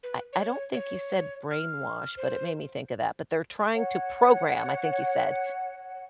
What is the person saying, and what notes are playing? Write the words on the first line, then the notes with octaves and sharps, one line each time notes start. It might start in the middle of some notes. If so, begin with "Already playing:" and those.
I I don't think you said brainwash, but it made me think of that, but they're trying to program, I think you said,
B4
C#5
C#5
F6
C5
C#5 F#5